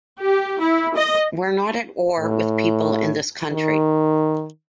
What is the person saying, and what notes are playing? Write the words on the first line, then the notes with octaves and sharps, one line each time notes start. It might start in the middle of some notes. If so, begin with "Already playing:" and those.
We're not at war with people in this country.
G4
E4
D#5
A2
D#3